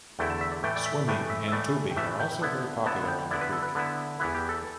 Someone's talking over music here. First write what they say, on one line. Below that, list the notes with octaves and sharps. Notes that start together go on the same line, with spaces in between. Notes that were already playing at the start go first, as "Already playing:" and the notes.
Swimming and tubing are also very popular on the creek.
E2 D3 A3 E4 G5
A5
E5
D5
A2 E3 A3 G5
D5
E5
A2 E3 A3 G5
E5
E5
A2 E3 A3 D5
G5
A2 E3 A3 E5
G5
D3 B3 E4
D3 B3 E4 A5
G5
D3 B3 E4 D5
B4
A4
B4
D3 B3 E4
E2 E3 B3 E4 B4
G4
A4